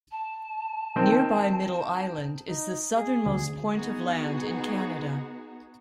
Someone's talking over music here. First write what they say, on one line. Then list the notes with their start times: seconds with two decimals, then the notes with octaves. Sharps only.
Nearby Middle Island is the southernmost point of land in Canada.
0.12 A5
0.96 D#3 C4
2.48 D#4
2.96 G#4
3.26 D2
3.75 B3 D#4 F#4 G#4